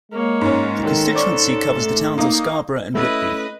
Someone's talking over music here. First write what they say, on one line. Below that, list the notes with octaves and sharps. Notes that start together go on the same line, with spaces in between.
The constituency covers the towns of Scarborough and Whitby.
G#3 A#3 C#5
G#2 C#4
D#3 A4
C5 D5 C#6
A3
A#3 D#4
A3 C#4 E4 B4 D#5